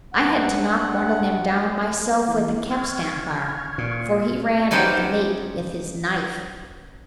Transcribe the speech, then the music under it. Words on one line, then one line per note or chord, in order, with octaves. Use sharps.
I had to knock one of them down myself with a capstan bar, for he ran at the mate with his knife.
G2 F#5
E3 A#3 E4
C#6 F6 G#6
A#2
C#4 D#4 G4 B4 C5 D5